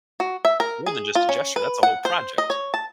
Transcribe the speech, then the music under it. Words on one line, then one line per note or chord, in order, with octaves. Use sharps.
more than just a gesture, that's a whole project.
F#4
E5
A#4
G#4
F4
C#4
B4
F#5
C5
D#5
C#5
A5